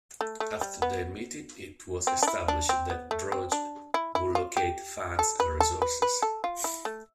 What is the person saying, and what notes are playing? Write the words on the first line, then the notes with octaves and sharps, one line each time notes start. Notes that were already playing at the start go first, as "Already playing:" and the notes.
After their meeting, it was established that Droege would locate funds and resources.
A3
A3
G3
B3
C4
D4
E4
D4
C4
B3
A3
C4
D4
E4
E4
F4
G4
A4
B4
A4
B4
B4
A4
F4
E4
A3